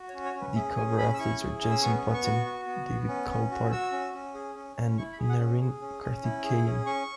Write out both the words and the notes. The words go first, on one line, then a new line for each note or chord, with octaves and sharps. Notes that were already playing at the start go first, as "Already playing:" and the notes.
The cover athletes are Jenson Button, David Coulthard and Narain Karthikeyan.
Already playing: F#4
C#5
C#4
C#5
C#4 B4
G#4 E5
C#4 G#5
C#4 B5
E6
E4 C#6
G#4
C#4
E6
B3 C#6
B3
C#6
F#4
F#4
B3
B3
C#4
C#4
F#4
F#4 E6
C#4
C#4
G#4
C#4
C#4
E4 C#6
B5
G#4
F#5
C#4
G#4
C#4
C#4
E4
G#4
C#4
C#4 C#6